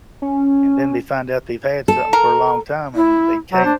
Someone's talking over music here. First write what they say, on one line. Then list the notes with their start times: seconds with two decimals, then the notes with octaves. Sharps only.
and then they find out they've had something for a long time and they can't
0.22 C#4
1.88 A4
2.13 A#4
2.95 E4
3.53 F#3 C5
3.65 D4